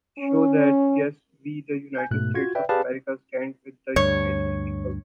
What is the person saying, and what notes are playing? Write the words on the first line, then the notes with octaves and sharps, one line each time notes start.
Show that, yes, we the United States of America stand with the Ukrainian people.
C#4
G#5 G6
G#2 B2 A3 F#6
F4 F#4 G#6
B4 D5 E5 G5
G4 G#4 B4 D5 F5 A5
D2 G2 C#5